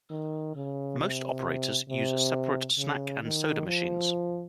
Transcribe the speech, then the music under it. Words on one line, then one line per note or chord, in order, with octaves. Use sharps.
Most operators use separate snack and soda machines.
D#3
C#3
C3
C3
C#3
D#3
F3